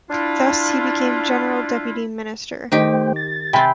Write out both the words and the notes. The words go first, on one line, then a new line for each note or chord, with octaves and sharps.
Thus, he became General Deputy Minister.
D4 E4 F4
D#3 A3 D#4 G4 C5 G5
A6
C3 C4 G5 G#5 B5